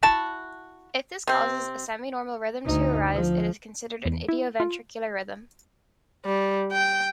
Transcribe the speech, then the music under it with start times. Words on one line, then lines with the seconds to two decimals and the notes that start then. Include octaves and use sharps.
If this causes a semi-normal rhythm to arise it is considered an idioventricular rhythm.
0.03 E4 F#4 A5
1.27 C3 C4
2.65 D2 D#4
3.14 F3
4.05 E2
4.28 E4
4.60 F4
6.25 G3
6.72 G5